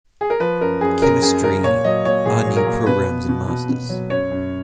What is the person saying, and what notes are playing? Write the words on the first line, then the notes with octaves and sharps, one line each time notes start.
Chemistry are new programs in Masters.
G#4
A#4
F3 B4
F#2 A#4
F#2 G#4
F#2 A#4
F#2 G#4
C#3 A#4
A#2 C#5
F#3 D#5
A#2 C#5
A#2 G#4
F#3
A#4
A#2
B2 B4
B3
B2
B2
B2
F#3
F#2 C#5
F#2